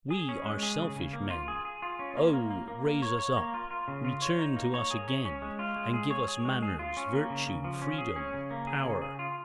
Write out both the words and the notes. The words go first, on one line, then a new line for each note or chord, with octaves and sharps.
We are selfish men O! raise us up, return to us again; And give us manners, virtue, freedom, power.
G#4
C#4
G#3
G#4
C#3
C#3
A#3
F4
G#4
G#4
F4
C#4
A#3
A#3
A#3
A#3
A#3
C#5
C#5
A#3
F4
F4
C#3
F4
C#5
D#4
A#3
C#5
G#4
C#4
C#4
G#3
F4
G#3
G#4
C#5
G#4
G#3
G#4
F4
C#4
A#3
C#3
C#3
F3
C#4
G#4
C#4
C#3
A#3
G#4
C#3
G#4
F4